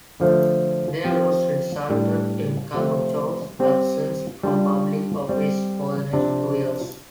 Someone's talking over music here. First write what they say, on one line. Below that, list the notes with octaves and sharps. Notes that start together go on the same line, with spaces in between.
Their loss resulted in Camacho's absence from public office for the next two years.
D3 F3 A3
F3 C4 G4
A2 G3 D4
C3 F3 A3 C4 F4
G3 C4 G4
G3 D4 F4
G3 C4 G4
C3 F3 D4